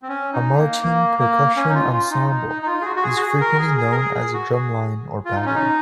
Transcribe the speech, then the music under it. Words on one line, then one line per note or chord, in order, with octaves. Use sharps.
A marching percussion ensemble is frequently known as a drumline or battery.
C4
C#4
D#4
A#3
A#3
A#3
C#4
D#4
F4
F4
D#4
D#4
D#4
D#4
F4
G#4
F#4
F#4
G#4
F#4
G#4
A#4
G#4
G#4
A#4
G#4
G#4
F#4
G#4
F4
D#4
C#4
D#4